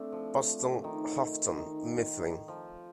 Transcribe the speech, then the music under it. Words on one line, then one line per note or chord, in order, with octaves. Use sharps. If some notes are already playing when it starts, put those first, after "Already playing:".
Boston, Houghton Mifflin.
Already playing: A3 C4 D4
F3
D#3
D#3
F3